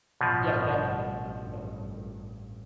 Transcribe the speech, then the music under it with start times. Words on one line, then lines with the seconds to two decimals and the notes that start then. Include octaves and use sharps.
Yeah, definitely does.
0.21 A1 G2 B2 F3